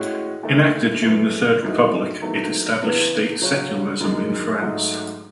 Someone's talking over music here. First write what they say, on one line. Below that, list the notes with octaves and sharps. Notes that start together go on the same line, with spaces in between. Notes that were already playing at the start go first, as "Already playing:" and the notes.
Enacted during the Third Republic, it established state secularism in France.
Already playing: A2 G#3 C#4 F#4
D#2 D#3 A3
F#2 E3 A3
F#2 E3 A3 D#4 F#4
E2 D#3 F#3 A3
E2 C#3 E3 B3
C#3 F#3 C#4 F#4
F#2 D#3 G#3
G#2 F#3 A3 D#4